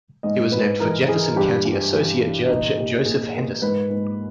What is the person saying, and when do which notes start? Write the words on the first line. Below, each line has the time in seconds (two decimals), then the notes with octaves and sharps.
It was named for Jefferson County Associate Judge Joseph Henderson.
0.23 G#2 D#5
0.52 G#2 B4
0.80 E3 A#4
1.07 E3 G#4
1.36 G2 G4
1.65 G2
1.93 E3
2.20 E3
2.49 A#2 D#4
2.77 A#2 G4
3.05 A#2 G#4
3.34 A#2 A#4
3.62 G#2 B4
3.90 G#2